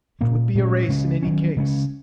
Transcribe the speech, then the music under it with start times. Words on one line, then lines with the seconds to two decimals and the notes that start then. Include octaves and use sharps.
It would be a race, in any case.
0.21 A#2 A#3 C#4
0.55 A#2 G#3 C#4
0.88 C#3 G#3 C#4
1.22 D#3 F#3 C#4
1.57 C#3 G#3 C#4